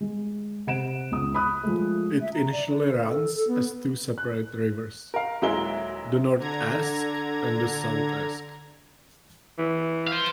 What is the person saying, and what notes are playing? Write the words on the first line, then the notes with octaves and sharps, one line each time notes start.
It initially runs as two separate rivers: the North Esk and the South Esk.
G#3
C3 F#5 D7 E7
C#2 D#6
B5 D#6 F#6
F3 G#3 A3
E5
A#5
D5
D4
A#4
A4
A4
B3
F#6
A#4 F5
D#1 F#3 G#3 E4 A#4 G7
D3 A#5 G#6
E3
C5 F5